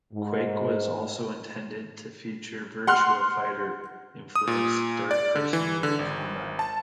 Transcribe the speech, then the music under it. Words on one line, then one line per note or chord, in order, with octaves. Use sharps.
"Quake" was also intended to feature "Virtua Fighter" influenced third-person melee combat.
G#2
F#5 C6 F6 F#6
D#6
A#2
D5
D3
E3
D3
G#1
A5